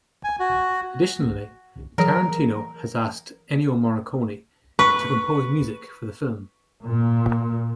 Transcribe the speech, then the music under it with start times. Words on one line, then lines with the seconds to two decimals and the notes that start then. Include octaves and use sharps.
Additionally, Tarantino has asked Ennio Morricone to compose music for the film.
0.24 G#5
0.40 F#4
1.98 E3 F#3 G#4 A#4
4.79 B4 C#6
6.84 A#2